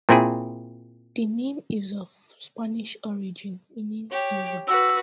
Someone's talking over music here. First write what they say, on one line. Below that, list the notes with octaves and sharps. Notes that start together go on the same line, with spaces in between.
The name is of Spanish origin meaning "Silver".
A#2 C4 E4 G#4
G4 C#5
F#4 B4 E6